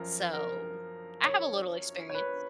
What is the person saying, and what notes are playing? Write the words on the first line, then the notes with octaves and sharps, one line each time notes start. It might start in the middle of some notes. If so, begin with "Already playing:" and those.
So I have a little experience.
Already playing: F#2 F3 A#4
A#4
C#5
C#5
B4